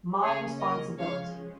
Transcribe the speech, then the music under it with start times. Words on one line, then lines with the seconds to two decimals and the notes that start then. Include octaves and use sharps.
My Responsibility!
0.22 C#3 A#3 C#4 G#4 C#5
0.60 A#4 D#5
0.98 F3 G#3 C#4 C#5 F5